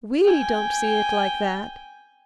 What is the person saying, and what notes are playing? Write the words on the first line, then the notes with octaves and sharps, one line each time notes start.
We don't see it like that.
G5 G#5